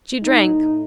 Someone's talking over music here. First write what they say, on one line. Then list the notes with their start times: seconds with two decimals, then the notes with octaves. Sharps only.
She drank.
0.22 A2 D#4